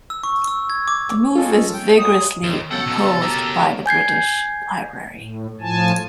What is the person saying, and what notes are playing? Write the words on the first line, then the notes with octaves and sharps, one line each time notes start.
The move is vigorously opposed by the British Library.
E6
C#6
E6
G#6
D6
G#3 C#4 F4 A4
G5
F#3 G#3 D#6
D#2
C#3 F#3 B3 A4 F#5 G5
B1
G4 A#4
G#2 B2
G#5 G6 G#6 C7
A2
A2 F3 G#5 A5